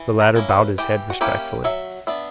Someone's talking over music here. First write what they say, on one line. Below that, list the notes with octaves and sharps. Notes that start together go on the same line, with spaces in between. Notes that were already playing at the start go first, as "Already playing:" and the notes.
The latter bowed his head respectfully.
Already playing: E3
A#5
A#3 C#4 E4
B4
E3 G4
F#4
A#3 C#4 E4 G4
F#3 E5
B3 D4 E5